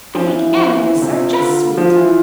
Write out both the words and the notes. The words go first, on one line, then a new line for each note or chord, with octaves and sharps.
I think amethysts are just sweet.
F3
E3 E4
F3
E3
D3
C3 F4
D3
F3 F4
E3